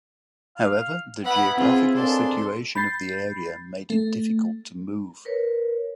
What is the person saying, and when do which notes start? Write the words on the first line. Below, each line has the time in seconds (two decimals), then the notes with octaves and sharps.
However, the geographical situation of the area made it difficult to move.
0.57 F5
1.24 B3 E4 F#5 B5
1.57 C4 F4 G#4
1.95 D#2 A#3 D4 G#4 A4 C6
2.75 B5 G6 A6 C7
3.90 A3
5.25 A#4 B4 C#5